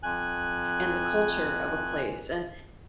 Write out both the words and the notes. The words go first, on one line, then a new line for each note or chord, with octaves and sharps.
and the culture of a place." And,
F2 G#5 F#6